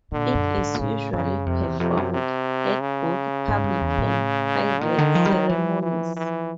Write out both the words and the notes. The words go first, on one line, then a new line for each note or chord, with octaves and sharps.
It is usually performed at both public and private ceremonies.
A#2 D3
F#2
G#2
A#2
A2 C#3
F#2 C#3
F2 C3
E2
F2 C3
F#2
C3
C#3
G#2
G2
E2
A2
A#2 D#3
D3
F3
G3
F#3
E3 F3
E3
E3